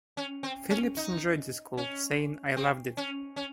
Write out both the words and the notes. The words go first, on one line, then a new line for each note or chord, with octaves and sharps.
Phillips enjoyed the school, saying, I loved it.
C#4
C4
C#4
D#4
C#4
C4
C#4
C#4